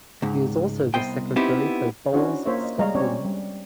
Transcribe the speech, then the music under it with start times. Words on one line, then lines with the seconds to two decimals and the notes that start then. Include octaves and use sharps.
She is also the Secretary for Bowls Scotland.
0.22 C#2 G#2
0.94 C2 B3 C5 D#5 G5
1.36 B3 C4 D#4 E4 G4
2.13 C#4 D4 E4 F#4 C5 C#5
2.46 A#3 F4 C5 C#5 E5
2.63 D#5
2.79 G3 G#3 C#5 D#5 F5 A#5
2.95 C4 C#4 G4 C#5 D5
3.25 G3